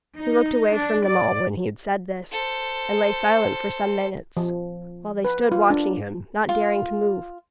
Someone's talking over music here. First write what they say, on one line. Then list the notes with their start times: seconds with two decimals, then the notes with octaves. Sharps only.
He looked away from them all when he had said this, and lay silent for some minutes, while they stood watching him, not daring to move.
0.14 D#4
0.75 D4
1.06 D5
2.32 A4 C5
4.37 F3
5.25 B4
5.52 F4
5.70 D4
6.49 F4